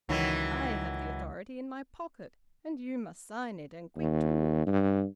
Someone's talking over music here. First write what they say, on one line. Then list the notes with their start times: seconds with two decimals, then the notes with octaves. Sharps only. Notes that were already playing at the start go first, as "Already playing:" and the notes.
I have the authority in my pocket and you must sign it, and quick too!
0.09 C#2 D#3 E3 F#3
3.97 D#2
4.67 G2